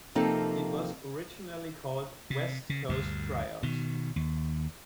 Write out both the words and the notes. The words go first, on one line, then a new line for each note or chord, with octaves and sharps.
It was originally called "West Coast Tryouts".
C3 F3 A#3 C4 D#4 A4
C3
C#3
D2 G2
B2 D#3
D#2